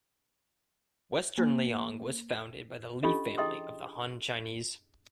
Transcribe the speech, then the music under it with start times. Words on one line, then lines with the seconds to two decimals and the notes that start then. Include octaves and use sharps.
Western Liang was founded by the Li family of the Han Chinese.
1.38 A#3
3.03 C#4 D4 F4 G4 A4 D#5
3.38 E4 G#4 D#5 G5 C6 D#6